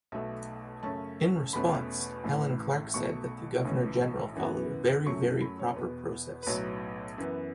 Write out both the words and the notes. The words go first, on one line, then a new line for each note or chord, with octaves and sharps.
In response, Helen Clark said that the Governor-General followed a "very, very proper process".
B1 B2 A3 E5
F#2 C#3 A3 C#4 A5
E2 B2 A3 C#4 B5
A1 A2 E3
B1 B2 A3 C#6
B1 A2 E3 C#4
F#2 E3 B3
F#2 F#3 A3 C#4 C#6
B5
C#5
E2 B2 B3 B4
B4
B1 A2 F#3 B3 C#5
F#2 E3 B3